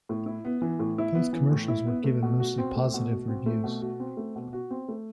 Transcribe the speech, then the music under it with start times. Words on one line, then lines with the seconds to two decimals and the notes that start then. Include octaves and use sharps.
Both commercials were given mostly positive reviews.
0.09 A2
0.26 E4
0.45 B3
0.62 E3
0.79 A2
0.98 E4
1.15 B3
1.33 E3
1.52 A2
1.68 E4
1.87 B3
2.04 A3
2.23 B2
2.40 F#4
2.58 C4
2.76 A3
2.94 B2
3.12 F#4
3.28 C4
3.46 A3
3.64 B2
3.81 F#4
4.00 C4
4.17 A3
4.36 B2
4.53 F#4
4.71 C4
4.88 A3